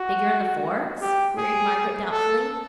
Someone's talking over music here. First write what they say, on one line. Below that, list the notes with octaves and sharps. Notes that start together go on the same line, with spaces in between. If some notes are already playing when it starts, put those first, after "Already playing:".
"Bigger'n the Forks?" queried Margaret doubtfully.
Already playing: F#4
G4
G#4
A4